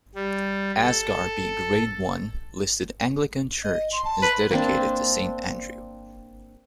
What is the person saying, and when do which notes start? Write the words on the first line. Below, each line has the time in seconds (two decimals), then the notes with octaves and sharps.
Asgarby Grade One listed Anglican church is dedicated to Saint Andrew.
0.15 G3
0.82 A4
3.64 D#5
3.92 C6
4.05 A5
4.22 B4
4.51 A#3 C4 D4